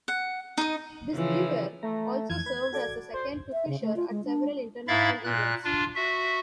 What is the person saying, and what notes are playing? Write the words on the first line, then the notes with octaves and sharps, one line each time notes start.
Bisguier also served as a second to Fischer at several international events.
F#5
D#4 D#5
C#3 E3 F3
A3 A#5
F2 E3 G#6
B4
F#4 A4 D5
C5
E5
C#3
A3
F4
G#3
D4
G#2 E4 E5 F5 B5 A6
A#2 F#6
D4 F4
F#4 E5